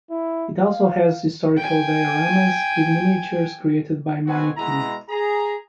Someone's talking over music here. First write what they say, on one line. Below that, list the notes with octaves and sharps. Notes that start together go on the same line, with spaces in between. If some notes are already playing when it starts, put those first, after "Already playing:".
It also has historical dioramas with miniatures created by Marnie King.
E4
F5
G5 G#5
B2 B3 C4 F#4 B4 G#5
B2 G#3 E4 A#5
G#4 A#5